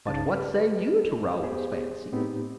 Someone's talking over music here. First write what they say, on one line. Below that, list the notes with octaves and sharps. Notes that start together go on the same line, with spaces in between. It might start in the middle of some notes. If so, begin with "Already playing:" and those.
"But what say you to Raoul's fancy?"
C2 G2 C#3 D#4 A5 A6
G4 B4
B3 G4 G#4 C5
A2 B3 C4 D#4 G4